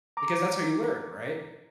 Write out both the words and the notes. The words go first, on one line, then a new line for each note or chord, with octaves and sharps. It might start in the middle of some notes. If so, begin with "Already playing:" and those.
Because that's how you learn, right,
A#5 D6